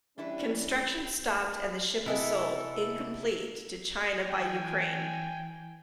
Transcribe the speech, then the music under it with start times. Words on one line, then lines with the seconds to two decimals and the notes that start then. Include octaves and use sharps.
Construction stopped and the ship was sold, incomplete, to China by Ukraine.
0.18 E3 G3 C#4 D4 E4 B4
2.06 C3 G#3 B3 E4 A4
4.30 E3 G5 G#5